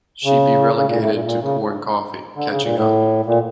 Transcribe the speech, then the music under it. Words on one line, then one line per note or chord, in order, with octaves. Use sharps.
She'd be relegated to pouring coffee, catching up.
C#3
C#3
A#2
A2
A#2
A#2
C#3
D3
C#3
A#2
A2
A#2